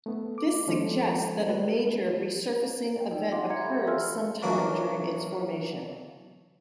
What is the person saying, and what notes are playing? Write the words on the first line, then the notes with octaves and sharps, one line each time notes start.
This suggests that a major resurfacing event occurred some time during its formation.
A3 B3
D6
D#3 F3 G#3 C#4 A4 C5
G#3 A3 B4
C#5 G5
A#3 D#4
C#5 F5 F#5 G#5 C6 D6
C#5 E5 A#5 G#6 C#7
G4 A4 E5 B5
E5 F5 G#5 C6 E6 F6
E3 F#3 A#3 D4 F4 F#4